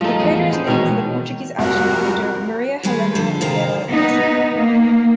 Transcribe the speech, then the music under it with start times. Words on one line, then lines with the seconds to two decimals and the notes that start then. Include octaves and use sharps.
The crater is named for the Portuguese abstract painter Maria Helena Vieira da Silva.
0.01 F3 G3 A3 D#4 A4
0.20 E3 B3 G#4
0.53 C5
0.67 B2 D#3 G#3 C#5
1.59 C2 F2 G3 F#4 A#4
2.83 D#3 G3 G#3 G#4 B4
3.15 D3 F3 A4
3.41 C3 D#3 C4 A#4 C5 F5
3.90 B3 D#4
4.55 A#3